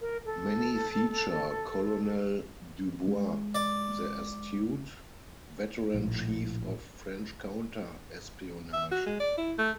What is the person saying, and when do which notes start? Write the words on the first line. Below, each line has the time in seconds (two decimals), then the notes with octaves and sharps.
Many feature Colonel Dubois, the astute, veteran chief of French counter-espionage.
0.01 A#4
0.25 A4
3.07 G#3
3.55 D5
5.94 A#1 A2
8.73 E5
8.91 F#4
9.06 G#3
9.20 D5
9.38 E4
9.58 A3